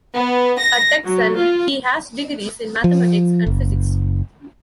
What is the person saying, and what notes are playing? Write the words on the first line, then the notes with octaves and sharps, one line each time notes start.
A Texan, he has degrees in mathematics and physics.
B3
A#6
F#3
F4
F3
F#1